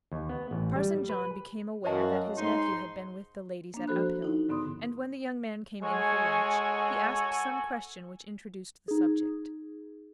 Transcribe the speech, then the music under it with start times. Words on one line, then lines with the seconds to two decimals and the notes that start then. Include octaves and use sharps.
Parson John became aware that his nephew had been with the ladies at Uphill, and when the young man came in for lunch, he asked some question which introduced the subject.
0.12 D#2
0.29 B3
0.51 A1
0.76 G3
1.10 B4
1.85 F#2 F#4 C#5 D#5 F5 A5
2.38 G#2 D#4 C6
3.74 A#3 D4
3.88 F3 F#4 A4 C5 B5 F#6
4.22 D#4 E4
4.49 G#2 D3 B3 C6 D#6
5.83 G#3 F#4 A4 C#5 G#5
8.88 D#4 G#4